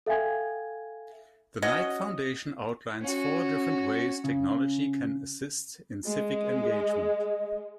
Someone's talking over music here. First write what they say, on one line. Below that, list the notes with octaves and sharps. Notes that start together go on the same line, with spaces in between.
The Knight Foundation outlines four different ways technology can assist in civic engagement.
A4 E5 F5 G5 G#5 G#6
C#4 F#4 D#5
C#4 F#4
C#3
G#3 D#5